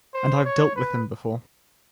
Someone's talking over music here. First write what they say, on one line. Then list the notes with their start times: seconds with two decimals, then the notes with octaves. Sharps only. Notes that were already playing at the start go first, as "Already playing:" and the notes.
And I have dealt with him before.
0.14 C5
0.45 C#5
0.76 B4